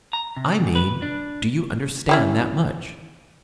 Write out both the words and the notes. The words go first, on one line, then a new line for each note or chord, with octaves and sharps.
"I mean, do you understand that much?"
A#5
C3
E2
B4
D4
C#4 E4 G4